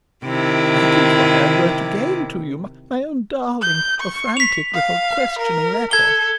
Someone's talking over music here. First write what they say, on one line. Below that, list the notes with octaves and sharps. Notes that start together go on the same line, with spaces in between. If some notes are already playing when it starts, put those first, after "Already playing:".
That is why I wrote again to you, my own darling--a frantic little questioning letter.
C3 D#3 E4
G6
C#6
B6 F7
F5
A#4
A4 G#6 G7